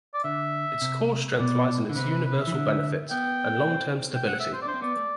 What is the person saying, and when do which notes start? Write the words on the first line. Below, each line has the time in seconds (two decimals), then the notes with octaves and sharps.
Its core strength lies in its universal benefits and long-term stability.
0.14 D5
0.24 D3 E5
0.82 C3
1.39 B2 D5
1.89 D3
1.96 C3 B4
2.11 B4
2.25 B4
2.39 E5
2.47 E3
2.54 D3
3.10 B3 G5
3.68 C4
4.15 G5
4.25 C4 F#5
4.40 E5
4.53 C5
4.62 D5
4.66 D4 C5
4.74 C4
4.82 B3 D5
4.96 A3